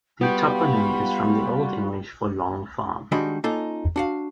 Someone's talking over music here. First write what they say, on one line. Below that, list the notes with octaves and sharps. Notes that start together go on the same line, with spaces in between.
The toponym is from the Old English for "long farm".
G3 B3 F4 F#4 G5 B5
D#3 G3 G#3 D4 F#4 B5
A#3 C#4 D#4 F4 A4
D4 F#4 F5